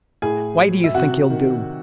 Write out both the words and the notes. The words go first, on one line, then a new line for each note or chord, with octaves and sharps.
"Why do you think he'll do?"
A2 G#4 G#5
F#3
E5
C3 F#4 F#5
D#3